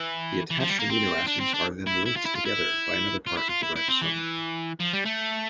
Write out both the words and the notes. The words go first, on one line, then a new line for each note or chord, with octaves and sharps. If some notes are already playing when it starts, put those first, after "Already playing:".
The attached amino acids are then linked together by another part of the ribosome.
Already playing: E3
E3
F3
G3
A#3
C4
D4
C4
D4
E4
E4
F4
E4
F4
E4
F4
E4
F4
E4
E4
C4
E3
F3
G3
A3